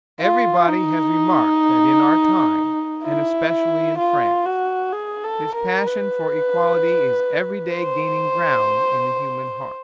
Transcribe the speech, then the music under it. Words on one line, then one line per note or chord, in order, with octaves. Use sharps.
Everybody has remarked that in our time, and especially in France, this passion for equality is every day gaining ground in the human heart.
F4
D#4
E4
F4
F#4
G#4
A4
A#4
B4
C5